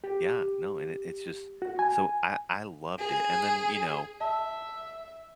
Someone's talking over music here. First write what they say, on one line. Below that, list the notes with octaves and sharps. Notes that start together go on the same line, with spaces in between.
Yeah, no, and it it's just so I I loved it, and then, you know,
G4
F#4
G#5
G#4
E5 A5